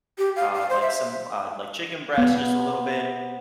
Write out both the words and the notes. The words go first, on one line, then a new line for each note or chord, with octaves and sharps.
uh, like, some, uh, like, chicken breast, just a little bit,
G4
F5
F5
C5
E5
B3